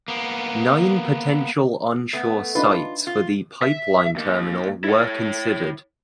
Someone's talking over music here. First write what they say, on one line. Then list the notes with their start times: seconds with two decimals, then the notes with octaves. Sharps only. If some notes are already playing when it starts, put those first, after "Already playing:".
Nine potential onshore sites for the pipeline terminal were considered.
0.08 A#3 B3
2.13 A3 B3
2.55 D4 D#4 F4 B4
3.07 F4
3.63 E5
4.16 D#2 A#3
4.84 E4 C#5